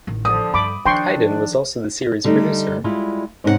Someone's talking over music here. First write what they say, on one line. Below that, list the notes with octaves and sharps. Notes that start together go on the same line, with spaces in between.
Hayden was also the series’ producer.
A1 D#3
D3 F3 D#6
G2 B5 D6
D#3 F3 D4 G5 C6 C#6
D3 G3 A3 D#4
G3 G#3 E4 F4
G#2 C3 C#4 D#4 A#4 F#5